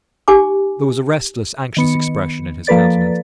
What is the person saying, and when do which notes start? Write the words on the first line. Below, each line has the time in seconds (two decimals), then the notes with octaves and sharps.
There was a restless, anxious expression in his countenance.
0.28 D#4 G4 G#5 D6
1.77 D#3 B3 C#7
2.67 F3 A#3 A4 B4 D5 A6